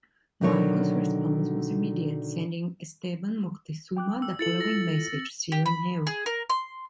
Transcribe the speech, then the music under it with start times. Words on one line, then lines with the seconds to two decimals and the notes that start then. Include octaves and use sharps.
Marcos response was immediate, sending Esteban Moctezuma the following message: "See you in hell".
0.41 B2 D3 D#3 F#3 C#5
3.97 G5 D6 F#6
4.22 E6
4.39 E4 F4 A4 A6 C#7 F#7
4.60 A#6
5.13 C4
5.52 G4
5.66 B5
6.07 G#4
6.26 A#4
6.50 C6